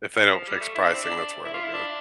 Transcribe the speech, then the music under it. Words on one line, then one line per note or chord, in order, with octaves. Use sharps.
If they don't fix pricing, that's where it'll go.
F3
G3
A3
E4
D4
C4
D4
E4
F4
E4
D4